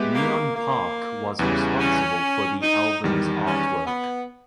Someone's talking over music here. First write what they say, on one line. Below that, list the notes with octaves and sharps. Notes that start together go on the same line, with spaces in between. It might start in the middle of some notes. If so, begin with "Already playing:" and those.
Neon Park was responsible for the album's artwork.
Already playing: G#3 B3 G4 B4 E5
A#3
A#3
E2 C#3 E3 G3
C#4
D#4
E2 D#3 G3
C#4
B3